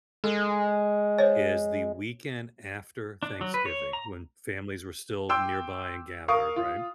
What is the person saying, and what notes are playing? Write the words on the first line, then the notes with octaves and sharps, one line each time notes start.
is the weekend after Thanksgiving when families were still nearby and gathered, right?
G#3 A4
C5 C#5
D4
F#3
B4
C#5
A#5
G5 C6 D6 E6
A#4 F5 C#6 D#6
F4